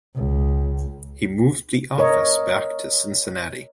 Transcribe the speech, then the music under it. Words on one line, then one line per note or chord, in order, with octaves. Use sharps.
He moved the office back to Cincinnati.
C#2
A#4 C#5 D#5